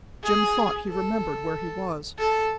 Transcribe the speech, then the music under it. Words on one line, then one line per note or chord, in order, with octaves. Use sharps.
Jim thought he remembered where he was.
G#4
A4
A4